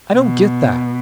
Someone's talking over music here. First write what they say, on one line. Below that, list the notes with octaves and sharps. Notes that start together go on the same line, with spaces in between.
"I don't get that."
B2